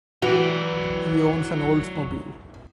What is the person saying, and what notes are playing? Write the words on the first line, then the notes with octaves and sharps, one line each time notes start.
He owns an Oldsmobile.
E3 F#3 F#4 D5